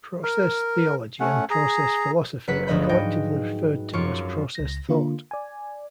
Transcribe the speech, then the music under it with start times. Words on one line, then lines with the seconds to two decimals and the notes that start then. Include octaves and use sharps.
Process theology and process philosophy are collectively referred to as process thought.
0.23 A#4
1.20 A3 C#4 F#5
1.50 G#4 A#5
2.47 F#1 F#3 B4 F#5 B6
2.67 G1 D2 F3 D#5 B5 G6
2.89 G#2 F#4 G5 A#6
3.93 F#2 F3 F4 C#6 D6
4.55 C#2 A#6
4.89 D3 A#3 F4
5.31 D5 G#5